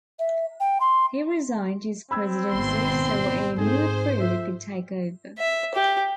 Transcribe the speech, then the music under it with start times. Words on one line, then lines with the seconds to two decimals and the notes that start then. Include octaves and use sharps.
He resigned his presidency so a new crew could take over.
0.19 E5
0.60 G5
0.81 C6
2.11 C4 B5 E6 G#6
2.51 G#1 B2 C6
3.58 G#2 C4 D#4 G#4 A4 C5
4.20 F3 E5
5.38 E5
5.74 G4